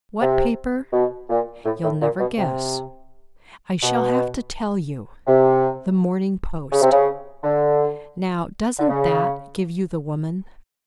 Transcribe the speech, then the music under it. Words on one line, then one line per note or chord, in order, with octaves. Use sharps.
What paper? You'll never guess; I shall have to tell you--The Morning Post. Now doesn't that give you the woman?
C3
B2
A#2
A2
A2
A#2
B2
C3
B2
C3
C#3
C3
C#3
D3
D3
C#3